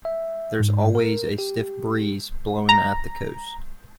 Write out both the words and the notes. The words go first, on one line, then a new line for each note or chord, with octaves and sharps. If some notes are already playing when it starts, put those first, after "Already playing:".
There's always a stiff breeze blowing at the coast.
E5
G#2
A#4
G4
A#5